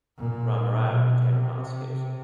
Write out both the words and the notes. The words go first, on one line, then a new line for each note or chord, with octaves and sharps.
Rama Rao became a mass hit.
A#2
B2
C3
C3